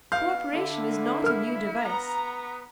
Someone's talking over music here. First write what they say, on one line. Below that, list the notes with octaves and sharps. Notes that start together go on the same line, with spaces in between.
Co-operation is not a new device.
B2 F5 G6
D3 E4
A#4 F6
B3 A#5